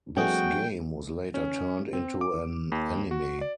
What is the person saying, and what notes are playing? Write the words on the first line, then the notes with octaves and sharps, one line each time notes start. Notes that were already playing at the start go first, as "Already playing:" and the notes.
This game was later turned into an anime.
F3 G3 A3 B3 C#4 F#4 G#4 G5
C#4
C4
D6
D#2
F#4
D5